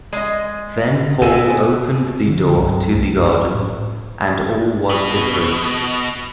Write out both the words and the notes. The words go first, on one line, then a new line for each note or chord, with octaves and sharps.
Then Paul opened the door to the garden, and all was different.
G#3 D#5
B2 C4 A4 G#5
D3 F3
C2 G2 F#3
C2 F#2 G3 A3
A2
B2